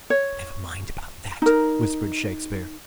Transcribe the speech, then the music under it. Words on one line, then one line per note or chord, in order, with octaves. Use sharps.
"Never mind about that," whispered Shakespeare.
C#5
D#4 A#4